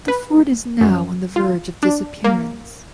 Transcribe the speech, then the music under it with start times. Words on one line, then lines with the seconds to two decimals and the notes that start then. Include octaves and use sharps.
The fort is now on the verge of disappearance.
0.08 B4
0.81 F#2
1.36 F4
1.83 D4
2.24 A#3